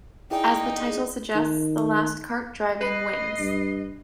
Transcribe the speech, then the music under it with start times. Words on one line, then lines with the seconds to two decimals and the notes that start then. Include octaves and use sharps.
As the title suggests, the last kart driving wins.
0.31 D#4 E4 G#4 D5 G5
1.35 D#3
2.81 B4 D#5 C7
3.39 G2